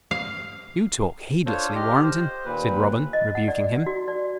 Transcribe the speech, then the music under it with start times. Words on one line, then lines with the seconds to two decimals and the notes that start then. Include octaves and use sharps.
"You talk heedlessly, Warrenton," said Robin, rebuking him.
0.11 F5
1.46 D4 F4 A4 C5 C#5
1.75 G4 D#5 F6
2.03 C5
2.45 D#2 A#2 B4
3.13 D#5
3.35 F#5
3.48 D5
3.86 F#4
4.08 D5